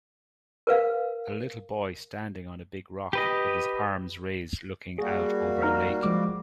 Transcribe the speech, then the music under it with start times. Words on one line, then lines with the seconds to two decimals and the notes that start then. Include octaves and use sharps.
A little boy standing on a big rock with his arms raised looking out over a lake.
0.67 A#4 B4 F5
3.13 G4 B4 D#5
4.98 G3 A#3 F#4 G#4
5.62 D#4 A#5 F6
6.03 F3 G#3 D6